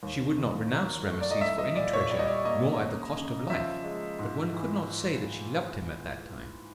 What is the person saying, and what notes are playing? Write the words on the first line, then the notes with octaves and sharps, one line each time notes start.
She would not renounce Rameses for any treasure, nor at the cost of life, but one could not say that she loved him at that time.
D#2
D#3
F#3
A3
D5
D#5
C2 E5
D#5
A#2 D5
C#5
G3 D5
D#5
D5
A#3 D#5
F#2
C#3
F3 E5
G#3
G#2
E3